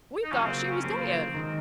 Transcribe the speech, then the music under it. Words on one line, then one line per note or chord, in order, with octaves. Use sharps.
We thought she was dead.
D#4
C#3 F#3 A#3 C#4 F4
C4
C4
C#4
C#3 F#3 A#3 C4 F4
D#3 G#3 D#4 A#4